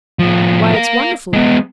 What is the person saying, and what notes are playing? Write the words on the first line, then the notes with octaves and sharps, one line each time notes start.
Why, it's wonderful!
A2 F3
A#4 F5
G#3 B3